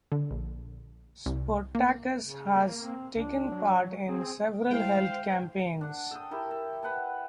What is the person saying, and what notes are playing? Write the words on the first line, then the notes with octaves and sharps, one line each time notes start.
Sportacus has taken part in several health campaigns.
D3
A#1
C2
A#3
C#3
A#3
C4
C#2 D4
F#3
C4 G#4
G#3 E4 C5 F5 G5
D4 F#5
A4 G5 D#6
E4 G4 A4 A#4
A4
B4 F#5 G5 A5